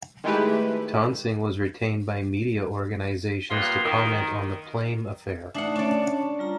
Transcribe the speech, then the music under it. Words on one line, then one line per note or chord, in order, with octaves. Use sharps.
Toensing was retained by media organizations to comment on the Plame Affair.
D#3 G#3 A3 E4 G4 B4
A#2 G3 A#3 B3 F4
D#3
A3 D4 D#4 E5 F#5
C#4 D4 C#5 D5 A5
G3 F4 A#5